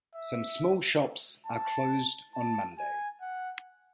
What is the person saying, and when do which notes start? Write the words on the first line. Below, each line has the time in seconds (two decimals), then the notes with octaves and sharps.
Some small shops are closed on Monday.
0.15 E5
1.46 A5
2.34 A5
2.78 G#5
3.21 F#5